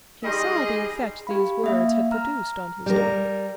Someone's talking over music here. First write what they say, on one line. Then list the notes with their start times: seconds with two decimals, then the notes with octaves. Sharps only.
He saw the effect these words had produced on his daughter.
0.24 G3 D#4 G#4 D#5 C6
1.27 G4 F5 B5
1.64 A#3 E5 F5
2.12 A#5 F6
2.86 G3 A#4